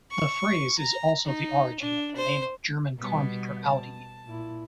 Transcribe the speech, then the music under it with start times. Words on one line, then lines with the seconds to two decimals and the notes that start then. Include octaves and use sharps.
The phrase is also the origin of the name of German carmaker Audi.
0.11 C#6
0.78 A#5
1.25 D#4
1.79 D4
2.16 C5
2.99 B2 G3 B3
3.66 A5
4.26 A#2 E4